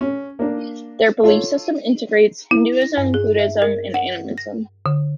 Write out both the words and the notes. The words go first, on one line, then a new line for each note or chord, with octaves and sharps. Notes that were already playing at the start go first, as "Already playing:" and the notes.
Their belief system integrates Hinduism, Buddhism and animism.
C#4
A#3 D4
F4 A4 C#5
E4
A#6
G2
G#4
E5
A#4
F#5
A#6
D3